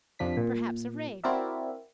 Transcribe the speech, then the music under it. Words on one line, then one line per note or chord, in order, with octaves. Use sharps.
Perhaps a raid!
F2 C3 F3 D4 B6
A#2
C4 E4 F#4 A#4 D5 E5